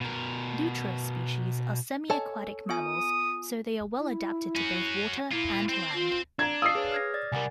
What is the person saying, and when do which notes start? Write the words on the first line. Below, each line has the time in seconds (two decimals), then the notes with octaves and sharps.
"Lutra" species are semiaquatic mammals, so they are well-adapted to both water and land.
0.01 B2 A#4
2.10 A4 C#5 D#5 G#5 A5
2.69 B3 F4 G#5 D#6
3.99 E4
4.56 C#4 F#4
5.32 A#3 E4 F4
5.69 C4 C5
5.94 F4
6.39 D4 A#5 G#6
6.62 F5 D#6 E6 C7
6.75 G#4 B4 C#5
6.92 F6 G#6 A#6
7.14 D5 A6
7.32 C2 G3 A#4 F#5 G#5